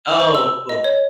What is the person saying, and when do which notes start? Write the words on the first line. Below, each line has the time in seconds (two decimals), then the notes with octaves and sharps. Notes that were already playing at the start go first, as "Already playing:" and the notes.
Oh, cool.
0.20 C5
0.35 E6
0.69 D#5
0.84 C#5